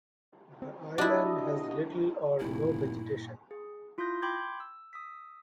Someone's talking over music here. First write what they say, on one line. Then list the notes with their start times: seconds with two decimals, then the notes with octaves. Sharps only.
The island has little or no vegetation.
0.62 C4
0.98 D4 E4 F#4 G4 D#5
2.40 F1 G2 A#2 E4
3.51 G#4
3.98 E4 F4 C6 D#6 G6 A#6
4.22 G5 B5 C6 D6 G6 G#6
4.60 E6
4.93 D#6 E6 B6